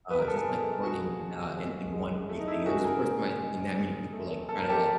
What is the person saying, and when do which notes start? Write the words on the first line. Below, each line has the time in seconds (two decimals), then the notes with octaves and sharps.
uh, just like running, uh, in in one big thing. It was the first time I'd seen that many people, like, try to like,
0.10 B3 B4
0.19 A#4
0.28 A4
0.36 G#4 A#4
0.47 B2
0.83 A#3 F#4 G#4
1.20 F3
1.57 G#3
1.92 G#3
2.29 A3
2.39 D#4
2.48 E4
2.66 C#3 F#4 G#4
2.84 G#4 A#4
3.03 A#2
3.39 G#3
3.76 A#2
4.13 A3
4.49 A#3 A4
4.59 A#4
4.69 G4 A4